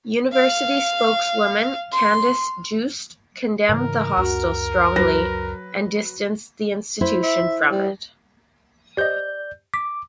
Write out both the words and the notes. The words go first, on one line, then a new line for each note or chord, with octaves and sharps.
University spokeswoman Candice Jooste condemned the hostel "strongly" and distanced the institution from it.
F5
C6
G#2 C#3 E3 A#4
C#2 F#2 F#4
F#3 B4 A#6
E4 C5
E5
G3
G4 C5 D5 D#5 G6
D6 B6